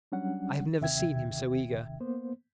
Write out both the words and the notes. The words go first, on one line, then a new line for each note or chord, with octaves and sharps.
I have never seen him so eager.
F#3 G3 C#4 D4 F#5
D#2 C3 D#3 E5 G5 G#6
A#3 B3 C5